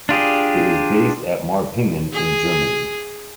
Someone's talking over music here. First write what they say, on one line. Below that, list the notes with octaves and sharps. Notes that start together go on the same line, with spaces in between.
It is based at Marpingen in Germany.
D4 F4 G4 G#4
G#4